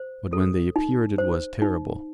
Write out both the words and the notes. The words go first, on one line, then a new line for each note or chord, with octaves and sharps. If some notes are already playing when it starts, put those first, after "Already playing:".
But when they appeared it was terrible.
Already playing: C5
A4
D#4
C5
D#4